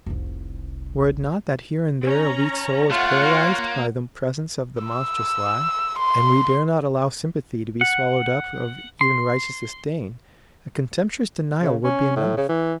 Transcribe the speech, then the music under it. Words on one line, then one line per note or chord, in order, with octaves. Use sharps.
Were it not that here and there a weak soul is paralysed by the presence of the monstrous lie, and we dare not allow sympathy to be swallowed up of even righteous disdain, a contemptuous denial would be enough.
F1 C2
C#4 A#5
A3 F4 C#5 F#5
A#3
E6
C6
F#5
C6
C#3
C#4
A2
C#3
E3